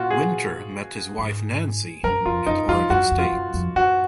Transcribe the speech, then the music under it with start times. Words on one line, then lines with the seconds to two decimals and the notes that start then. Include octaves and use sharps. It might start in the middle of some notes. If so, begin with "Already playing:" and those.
Winter met his wife Nancy at Oregon State.
Already playing: A#2 F4 F#4
0.11 G#4
1.18 G#2
2.04 F#2 A#4
2.26 F2 F4
2.46 F#2 D#4
2.68 F2 F4
2.90 F#2 F#4
3.11 F2
3.19 F4
3.32 F#2
3.54 F2
3.75 F#2 F#4